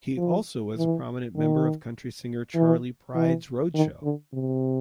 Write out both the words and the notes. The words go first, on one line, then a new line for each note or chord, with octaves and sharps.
He also was a prominent member of country singer Charley Pride's road show.
F3
E3
D#3
E3
E3
D#3
D3
C3